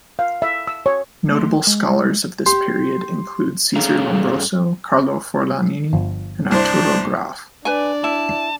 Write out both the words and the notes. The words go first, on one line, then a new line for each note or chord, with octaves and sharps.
Notable scholars of this period include Cesare Lombroso, Carlo Forlanini and Arturo Graf.
F5
E5
E6
C#5
A3 C6
G#3
G4 C6
G2 C#4 G#4 A4 F5 A#5
G1 F3
C2 D4 C5
D4 B4 D5 G#5
E4 A5